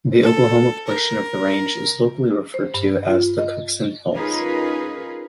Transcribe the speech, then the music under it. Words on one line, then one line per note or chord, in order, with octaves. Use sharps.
The Oklahoma portion of the range is locally referred to as the Cookson Hills.
A4
A#4
C5
G2
F4
D#5
C#4 D#4 F4 G#4 A#4 B4